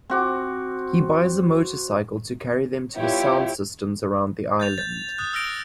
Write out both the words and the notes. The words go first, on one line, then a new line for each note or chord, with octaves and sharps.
He buys a motorcycle to carry them to the sound systems around the island.
C4 F#4 D6
G3 B3 E4 F4 G4 C#5
G6 A6 F7
G6 A6
D#6 F#6
E6 F6 A#6 D7